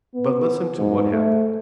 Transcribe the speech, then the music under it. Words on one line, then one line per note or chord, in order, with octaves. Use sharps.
But listen to what happened.
B3
G#2
A3